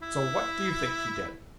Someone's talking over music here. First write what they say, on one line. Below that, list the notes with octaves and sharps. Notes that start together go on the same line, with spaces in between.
So what do you think he did?
E4